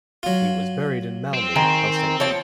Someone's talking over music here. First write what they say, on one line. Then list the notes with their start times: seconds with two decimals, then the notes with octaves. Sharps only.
He was buried in Malmi, Helsinki.
0.23 F#3 F4
1.34 C4
1.56 D#3 C4 G#4 C5
2.20 F3 C#5 A5